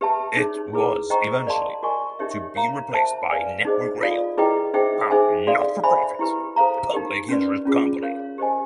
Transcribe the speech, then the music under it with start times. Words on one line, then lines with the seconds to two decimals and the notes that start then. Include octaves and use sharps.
It was eventually to be replaced by Network Rail, a not-for-profit 'public interest company'.
0.01 G4 B4 E5 A5
0.37 D#4 G#4 C#5
0.73 E4 G#4 B4
1.10 C5 D#5 G5 A#5 C#6
1.46 A#4 D5 F5 A5 C6
1.83 F#4 A#4 D#5 G#5 C#6
2.19 D#4 G4 A#4 C#5 E5
2.56 A#4 C#5 F5 A#5
2.92 C5 E5 A5
3.29 B4 D5 F5 G#5
3.65 D#4 G#4 C5 D#5
4.01 F4 A4 D5 F5
4.38 E4 G#4 B4 D#5 G5
4.74 D#4 G#4 C5 E5 G5
5.10 D#4 G#4 C5 E5 G#5
5.47 F#4 A4 D5 F5
5.83 C5 E5 G#5 B5
6.19 E4 G4 B4
6.56 A4 C5 F5 A#5
6.93 D#4 G4 A#4
7.29 C#4 F#4 B4 D5
7.65 C#4 F4 G#4
8.01 A#4 C#5 F5
8.38 G4 C5 D#5 G#5